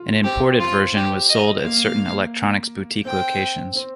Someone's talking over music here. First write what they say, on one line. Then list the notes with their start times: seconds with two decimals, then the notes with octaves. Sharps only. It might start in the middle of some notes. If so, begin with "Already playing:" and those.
An imported version was sold at certain Electronics Boutique locations.
Already playing: F4
0.24 C4 G4
0.60 F4
0.95 G4
1.29 D#5
1.64 A#3 F5
3.05 C4 G5
3.75 C4